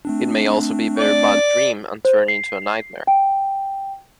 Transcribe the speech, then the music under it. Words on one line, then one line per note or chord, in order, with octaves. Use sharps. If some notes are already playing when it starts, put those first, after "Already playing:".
It may also be a very bad dream and turn into a nightmare.
A3 C4 D4
D5
C5
C7
G5